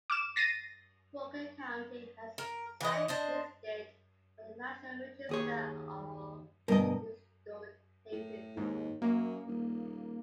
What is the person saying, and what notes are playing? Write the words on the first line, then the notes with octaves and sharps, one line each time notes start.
Walker County has sites listed on the National Register of Historic Places.
D6 F6 E7
A6 A#6 C7 D#7
A#4
E3 D#5
D4 C5 D#5
D#2 G#4 C#5
D2 G2 B2 A#4 D#5
A2
D#2 G#2
F#2 A#3
D#1